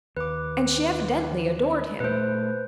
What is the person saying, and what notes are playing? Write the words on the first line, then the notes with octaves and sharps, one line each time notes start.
And she evidently adored him.
D#2 B4 D6
A#2 A3 B4 C5